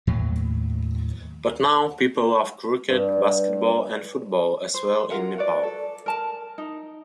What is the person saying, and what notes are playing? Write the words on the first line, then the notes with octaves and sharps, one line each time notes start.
But now people love cricket, basketball and football as well in Nepal.
D#2 A2 F#3
G2
C5
F4 A#4 F5 F#5
F#4 B4 D5
A4
A#4 A5
D#4